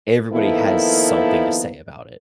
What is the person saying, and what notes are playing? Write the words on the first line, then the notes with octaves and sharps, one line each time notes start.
everybody has something to say about it,
D#3 F3 A#3 B3 E4 A4